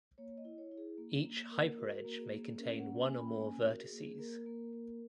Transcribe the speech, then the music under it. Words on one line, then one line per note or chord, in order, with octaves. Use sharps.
Each hyperedge may contain one or more vertices.
A#3 C#5
D#5
E4
C#5
E4
G#4
A#3
A#3
A#3 A#4
F#4 A#4
A#3
G#4
A#3
C#4 A#4
F#5
A#3
G#5
C#4
B5
A#3 G#5
A#4
F#4
G#4
A#3
G#4
A#3 A#4
A#3
A#3